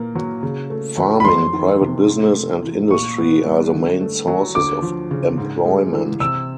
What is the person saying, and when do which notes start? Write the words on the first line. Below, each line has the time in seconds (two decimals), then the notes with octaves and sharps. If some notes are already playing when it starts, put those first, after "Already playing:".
Farming, private business and industry are the main sources of employment.
Already playing: A#2 A#3
0.15 F#3
0.43 C#3
0.70 A3
0.98 F#3
1.20 B5
1.25 F2 C6
1.53 D#3
1.81 C3
2.08 G#2
2.35 A3
2.62 E3
2.90 A#2 C#6
3.18 B3
3.46 G3
3.72 D3
4.01 A3
4.28 F#3
4.55 D2 D6
4.82 F3
5.11 C#3
5.38 G#2
5.65 G#3
5.93 E3
6.20 C3 E6